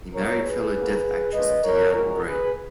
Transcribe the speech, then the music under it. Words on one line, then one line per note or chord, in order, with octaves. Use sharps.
He married fellow deaf actress Deanne Bray.
B2 F#3 A#3 A#4 C#5
G#4 B4
C#3 F#3 A#3
A#2 F3 G#3 C#4 B4 D#5
A#4 C#5
A#2 F3 G#3 C#4 F#4 A#4
G#4 B4